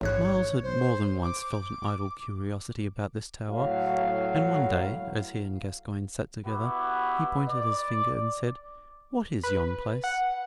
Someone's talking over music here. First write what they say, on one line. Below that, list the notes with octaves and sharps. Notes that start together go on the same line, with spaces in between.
Myles had more than once felt an idle curiosity about this tower, and one day, as he and Gascoyne sat together, he pointed his finger and said, "What is yon place?"
A1 G#2 C#5 F#6
C5
D6
A2 F#3 F5
B3 E4 F#4 G4 B4
D5
B4
F#5